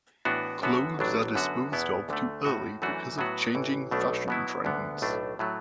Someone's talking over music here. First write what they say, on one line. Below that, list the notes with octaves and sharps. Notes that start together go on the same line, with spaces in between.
Clothes are disposed of too early because of changing fashion trends.
A2 E3 B3 D4 F#4
F#2 D3 B3 F#4
A1 A2 F#3 D4
F#2 D3 B3 F#4
E2 B2 B3 E4
D2 D3 A3
A2 A3 F#4
F#2 E3 A3 D4 F#4
A2 F#3 B3 F#4
A1 A2 E3
B1 B2 A3 D4
B2 F#3 B3 E4
D2 D3 B3
B1 A2 A3 D4
A2 F#3 A3